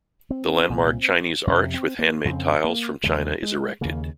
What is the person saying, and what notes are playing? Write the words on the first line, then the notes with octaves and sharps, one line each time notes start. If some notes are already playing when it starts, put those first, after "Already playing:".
The landmark Chinese Arch with handmade tiles from China is erected.
C4
C2 A#2
F2 C3 C#4
C4
A#3
F2 C#3 C4
A#3
D#2 C#3 G#3
G#3
D#2 C#3 A#3